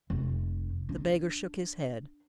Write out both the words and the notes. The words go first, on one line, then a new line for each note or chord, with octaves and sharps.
The beggar shook his head.
F1
D4